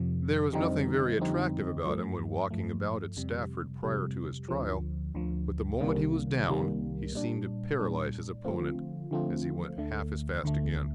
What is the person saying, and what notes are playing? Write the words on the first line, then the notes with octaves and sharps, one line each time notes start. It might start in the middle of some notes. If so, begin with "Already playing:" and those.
There was nothing very attractive about him when walking about at Stafford prior to his trial, but the moment he was down he seemed to paralyse his opponent, as he went half as fast again.
Already playing: F2 C3 F3
F2 D3 G3 C4 D#4
F2 D3 G3 C4 D#4
G2 F3 A3
G2 F3 A3
F2 C3 G3
F2 C3 G3
D2 D3 F3
D2 D3 F3
C2 C3 D#3 G3 A#3
C2 C3 D#3 G3 A#3
A#2 G3 D4
A#2 G3 D4
D3 F3 A3 C4 F4
D3 F3 A3 C4 F4
D2 D3 A3
D2 D3 A3